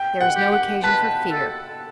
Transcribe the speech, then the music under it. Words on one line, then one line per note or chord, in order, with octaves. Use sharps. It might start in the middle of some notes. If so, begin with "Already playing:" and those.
There is no occasion for fear.
Already playing: G5
F#5
G4
F#5
B4 A5
A4